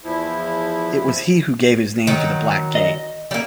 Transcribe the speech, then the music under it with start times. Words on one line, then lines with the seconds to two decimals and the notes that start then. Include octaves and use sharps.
It was he who gave his name to the Black Gate.
0.04 E2 F3 E4
2.07 D#3 F#3
2.75 D#5
3.31 G3 A#3